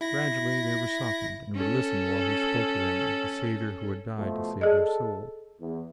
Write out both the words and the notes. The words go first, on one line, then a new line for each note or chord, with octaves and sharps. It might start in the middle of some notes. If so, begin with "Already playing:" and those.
Gradually they were softened and would listen while he spoke to them of the Saviour who had died to save their souls.
E4 A#6
C#4 A4
B2 F3 A3
G#4 A4 D5 D#5
E2